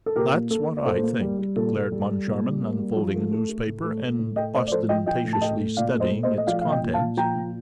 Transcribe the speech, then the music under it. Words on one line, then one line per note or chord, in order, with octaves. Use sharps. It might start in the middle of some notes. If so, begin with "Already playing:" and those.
"That's what I think," declared Moncharmin, unfolding a newspaper and ostentatiously studying its contents.
A4
A#2 G4 A#4
A#3
A#3 A4
A#3
D5
A#2 A4 C5
A#3
G3
G3
A#2 A4
A#2
G3
G3
A#2
G3
A#3
G3
F3
A3
A3
A3
A2
A3
A3
A2
A3 D#5 G5
A2 C5 D#5
D5
F3 A4 C5
F3 D#5 G5
F3 D#5 G5
A2
A5
A3 D#5 G5
A2
A#2 D5 F5
A3
C5 D#5
A#2
C5 D#5
A3
D#5
F3 D5 F5
A#2 F5
D#5 G5
A#2
F5 A5
A#2
F3 G5 A#5
A#2